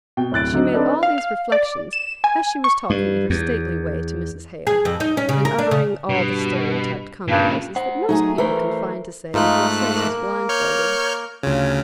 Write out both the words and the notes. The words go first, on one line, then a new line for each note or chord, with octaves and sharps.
She made all these reflections as she was talking in her stately way to Mrs. Hale, and uttering all the stereotyped commonplaces that most people can find to say with their senses blindfolded.
B2 G5
D1 E4 F#6 A6 D7
D3 F#3 D#4
C4 D4 D#4 A4 B4 D5
F5
F5
D5
E7
G#5
C#6
G2
E2
G#4
F2
D#4
C#4
C#3
A#4
D4
C#3
G2 B2
G2 A#2 C#3
C5 F#5
F#3 A3 D#4 G#4
E3 A3 A4 A#4 C5
G#2 A3 D#4 F4 F#6
F4
A#3 A#4
C#5 F6 G6
D2 C#3 F4 C#5